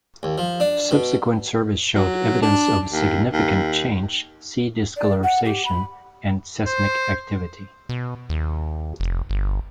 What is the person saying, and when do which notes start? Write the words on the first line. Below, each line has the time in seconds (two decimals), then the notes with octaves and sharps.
Subsequent surveys showed evidence of significant change - sea discolouration and seismic activity.
0.23 D#2
0.38 F3
0.60 D4
0.91 B2
1.95 F#3
2.42 D4
2.92 D#2
3.33 D#2
4.96 D5
5.24 F#5
5.45 G4
5.65 B5
6.66 C5
7.89 B2
8.29 D#2
9.00 F1
9.29 G1